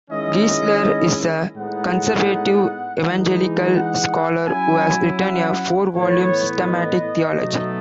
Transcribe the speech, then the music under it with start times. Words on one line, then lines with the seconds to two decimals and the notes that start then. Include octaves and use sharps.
Geisler is a conservative evangelical scholar who has written a four-volume systematic theology.
0.10 D#3 G#3 C#4 E4 D#5
1.56 A2 G#3 B3 D#4 F#5
3.01 E3 G#3 D#4
3.75 F#5
4.47 F#3 C#4 E4 G#5
5.20 F#5
5.93 A2 E3 B3 C#5
6.67 D#5
7.39 B2 F#3 A3 D#4